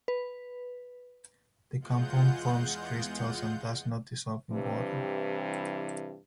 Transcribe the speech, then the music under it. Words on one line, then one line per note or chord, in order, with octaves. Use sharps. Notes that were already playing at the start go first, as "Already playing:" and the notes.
The compound forms crystals and does not dissolve in water.
B4
E2 G#3 F4 F#5 G6
G2 C3 E3